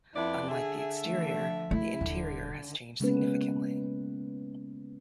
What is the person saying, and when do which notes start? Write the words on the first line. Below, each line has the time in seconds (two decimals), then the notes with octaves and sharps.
Unlike the exterior, the interior has changed significantly.
0.14 F2 B3 E4 D5
0.48 D3 G#4 E5
1.04 E3 A3
1.38 F3
1.71 A3 E4
2.01 D#1 D3
3.00 C#3 G#3 A#3 B3 C#4 B4